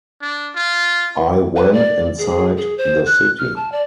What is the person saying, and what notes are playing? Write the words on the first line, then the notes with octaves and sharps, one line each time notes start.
I went inside the city.
D4
F4
B4
D5
G#4
G#4
C5
F#6
F6
A5
D5